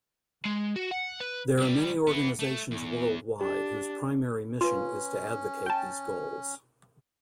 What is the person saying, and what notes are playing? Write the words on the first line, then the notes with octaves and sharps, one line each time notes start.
There are many organisations worldwide whose primary mission is to advocate these goals.
G#3
F#4
F#5
B4
C#2 G3
E3 B3
A3
E2
D4 G4
C#4 F4 B4 C6
G5 A5